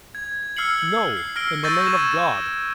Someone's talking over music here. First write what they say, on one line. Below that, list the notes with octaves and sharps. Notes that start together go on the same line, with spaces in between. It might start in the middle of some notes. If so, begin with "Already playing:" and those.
No, in the name of God!
G#6
E6 F6 C7 C#7 F#7
C7
E6 F6 A#6 C7 D7 G7
C#6 E6 G6 A6 A#6 D#7
G#6 D#7 E7